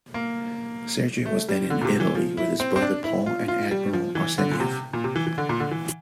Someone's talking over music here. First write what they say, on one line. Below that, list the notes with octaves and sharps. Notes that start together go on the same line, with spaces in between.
Sergei was then in Italy with his brother Paul and Admiral Arseniev.
A#3
A3
G3
D3
A#2
C3
E3
F3
E4
C4
C4
D4
E4
F4
F4
G3
F3
E3
D3
A#2
C3
A#2
C3
E3
E3
D3
A#2
D3
E3